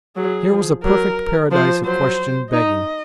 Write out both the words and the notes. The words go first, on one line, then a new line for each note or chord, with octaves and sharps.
Here was a perfect paradise of question begging.
F#3 G#4
F3
F#3 A#4
F3 C5
F#3 C5
D#4 D#5